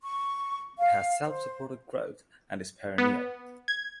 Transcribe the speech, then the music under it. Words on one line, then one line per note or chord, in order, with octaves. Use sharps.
It has self supporting growth and is perennial.
C#6
F5
C5
B3
G#6